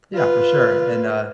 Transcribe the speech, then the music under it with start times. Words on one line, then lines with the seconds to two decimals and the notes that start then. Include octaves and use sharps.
yeah, for sure and, uh,
0.14 F4 B4